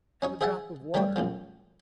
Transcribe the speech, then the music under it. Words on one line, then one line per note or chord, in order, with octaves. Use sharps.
Have a drop of water!
C#4 D#4 C#5
G#4 C5 E5 F#5 G#5 A5
E3 G3 A3 D4 C#5 G5
A#1 F#2 A2 F3